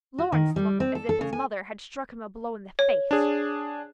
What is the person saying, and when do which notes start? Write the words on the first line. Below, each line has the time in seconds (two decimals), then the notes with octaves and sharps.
Lawrence looked as if his mother had struck him a blow in the face.
0.18 F#4
0.32 D#3
0.56 G3
0.80 C4
0.95 A4
1.09 A4
1.21 C#3
1.33 G#5
2.79 C#5
3.11 D4 G#4